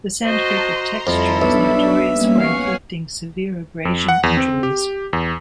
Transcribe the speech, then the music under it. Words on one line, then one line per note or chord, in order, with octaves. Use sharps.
The sandpaper texture is notorious for inflicting severe abrasion injuries.
F#4 C5 D#5 A5 A#5 C6
A#5 C6
F2 G3 E4 A4
B1 D4 E5
G3 A#3 C#4
C#5 F5 F#5 G#5 C#6
F2
F#5
E2
C4
G4
E2